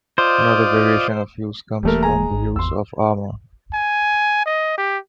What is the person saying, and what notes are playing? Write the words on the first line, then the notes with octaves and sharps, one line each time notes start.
Another variation of use comes from the use of armour.
F4 C5 D5 D#5
D#1 E3 G3 A3 A#3 A#4
G#3 G#5 A#5
G#1 G#2
G#1 E2 C6 E6
G#5
D#5
G4